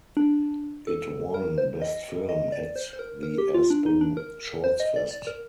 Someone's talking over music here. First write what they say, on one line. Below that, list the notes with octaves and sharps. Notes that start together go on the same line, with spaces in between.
It won "Best Film" at the Aspen Shortsfest.
D4
A4
A#4
C5
D#5
D#5
D5
C5
C5
A#4
A#4
G4
F4
D4
D#4
D4
A#4
C5
D#5
D5
D5
A#4